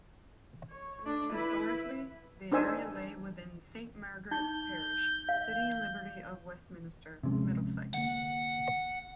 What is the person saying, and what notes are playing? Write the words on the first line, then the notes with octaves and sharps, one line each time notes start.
Historically the area lay within Saint Margaret's parish, City and Liberty of Westminster, Middlesex.
C#5
A3 D4
E4 B4
D4 D#4 C5 G#5 E6
D#4 G6
F5
D1 C3 F3 G#3 C#4
D3 A#3 F#5